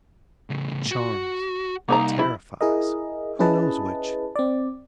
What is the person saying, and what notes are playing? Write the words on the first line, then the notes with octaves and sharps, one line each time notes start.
It charms, it terrifies; who knows which?
A2 C#3
F#4
C2 A#3 D#4 A#5
E4
E4 G#4 A#4 D#5
C#4 E4 G#4 B4 D#5 A5
C4 D5